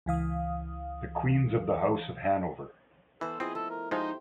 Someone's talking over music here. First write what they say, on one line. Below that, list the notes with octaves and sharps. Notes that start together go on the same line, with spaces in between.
"The Queens of the House of Hanover".
C#2 E3 F5 D#6
E3 B3 A4 C5
F3 C4 E4 G#4 D#5
A3 A4
A#4
F3 G#3 D#4 G4 C5